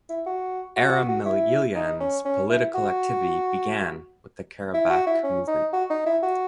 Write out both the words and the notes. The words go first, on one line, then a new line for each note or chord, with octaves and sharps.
Aram Mayilyan’s political activity began with the Karabakh Movement.
E4
F#4
F#4
F#4
F#4
E4
D#4
C#4
C#4
E4
F#4
E4
F#4
E4
C#4
D#4
F#4
D#4
E4
F#4